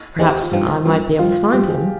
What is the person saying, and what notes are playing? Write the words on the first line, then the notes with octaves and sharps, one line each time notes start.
Perhaps I might be able to find him.'
D#2 D#3 G#3 C4 G4
G4
F4
G2 F3 C4 D#4
G2 F3 C4
G2 F3 C4 F4
G2 F3 C4 G4
G#4